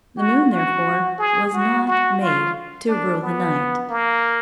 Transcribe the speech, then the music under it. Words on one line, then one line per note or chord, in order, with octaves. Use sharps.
The moon, therefore, was not made "to rule the night."
F#4
F#4
G#4
F#4
F#4
F4
D4
B3
A#3